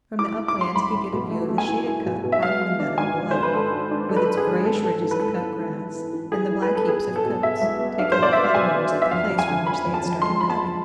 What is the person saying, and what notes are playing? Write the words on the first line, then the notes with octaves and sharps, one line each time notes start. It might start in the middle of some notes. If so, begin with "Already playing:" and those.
From the uplands he could get a view of the shaded cut part of the meadow below, with its grayish ridges of cut grass, and the black heaps of coats, taken off by the mowers at the place from which they had started cutting.
E4 D6
E4
D6
C2 C6
C2 B5
C2
B2
A3
A3
G#5
E4
E4
B2
B2
E5
G#3 F5
G#3
D4
G#1 G#5
G#2
D4 C5
B4
G#1 A4
G#1
D4
G#3 A4
B4
G#3 A4
G#4
G#1
G#2 A4
B3 A4
E3 A4
B4
G#2 A4
B3
E4
E4
E4
E3
E3 G#4
E4
B4
B3
A4
B3 G#4
B2
A4
B2
B2 E5
C2
B3
D4 F5
C5
B2 D5
B3 E5
F5
B2 G#5
B3
D4
E5
F2 F5
F2
G#5
D3
F2 B5
F2
A5
F2
G#3 C6
F2 B5
A5